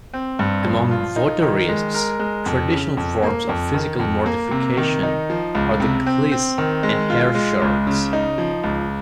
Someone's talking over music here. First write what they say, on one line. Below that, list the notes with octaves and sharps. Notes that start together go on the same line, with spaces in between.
Among votarists, traditional forms of physical mortification are the cilice and hair-shirts.
C4
G2
F3
F4
D#4
D#3
G#3
A#4
G#3
F2
C#3
F2
A#3
F2
D#3
F2
A#3
C3
D#3
D#4
F3
C#2
C3
C4
C4
D#3
G#3
F4
G#3
C#2
C#3
D#4
F3
C#2